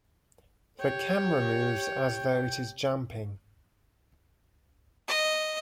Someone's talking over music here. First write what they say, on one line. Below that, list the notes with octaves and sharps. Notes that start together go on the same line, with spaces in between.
The camera moves as though it is jumping.
G4 C#5 G5
D#5